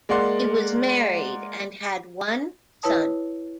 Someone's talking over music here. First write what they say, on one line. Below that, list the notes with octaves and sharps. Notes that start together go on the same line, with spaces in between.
He was married and had one son.
G#3 A#3 D5 F#5 C6
E4 B4 C#5 A5 D#6